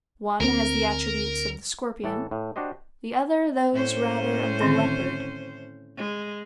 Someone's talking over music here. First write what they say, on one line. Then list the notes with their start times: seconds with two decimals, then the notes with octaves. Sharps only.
One has the attributes of the scorpion, the other those rather of the leopard.
0.40 D2 C4 A#4
2.04 A2 E3 A4
2.31 A2
2.56 D4 F#4 G4 C5 D#5
3.73 A2 C#4 C5
4.60 D3 D#3 C4
5.97 G#3